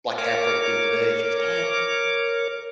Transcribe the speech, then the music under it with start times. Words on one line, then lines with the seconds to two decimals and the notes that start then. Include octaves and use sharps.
like, halfway through the day, she goes, "Dad,
0.18 A#4 C#5 D6